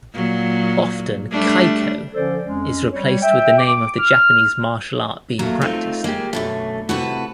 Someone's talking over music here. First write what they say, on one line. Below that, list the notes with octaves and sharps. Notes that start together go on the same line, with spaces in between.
Often "keiko" is replaced with the name of the Japanese martial art being practiced.
A#2 F#3
G3 A3 D4
D3 F3 C#4 A4 C5 D5
F2 G#3 C#4
G3 C#5
E5 G5
D6
F6
F#3 A3 A#3
A3 C4 D#4 F4
G#3 A#3 G4
F#2 B2 D3 A3
A2 C3 F#4 A4 B4